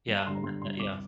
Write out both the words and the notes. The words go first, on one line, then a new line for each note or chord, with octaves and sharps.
yeah, and that that yeah.
G2
A#5
D3 G3 C6
A#5
G2 C6
D3 G3 C6
C2 D6